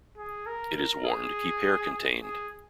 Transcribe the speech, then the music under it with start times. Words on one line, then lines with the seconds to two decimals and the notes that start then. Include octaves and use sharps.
It is worn to keep hair contained.
0.17 G#4
0.46 A#4
0.76 A#4
1.05 G#4
2.22 G#4